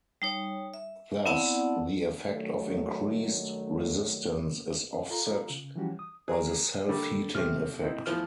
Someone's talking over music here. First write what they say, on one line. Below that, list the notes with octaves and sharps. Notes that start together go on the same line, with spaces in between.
Thus, the effect of increased resistance is offset by the self-heating effect.
G3 D#4 C#5
E5
B3 C4 E4 D5 F#5 A5
G2 D#3 F#3 A3
F4 A4 A#5
C#3
E3 F3 G3 C#4 F#4 G4
D#6
G#4 A#4
D3 G3 A3 A#3
C3 A3 F6
C4 D#4 E4
E2 A2 F3 F6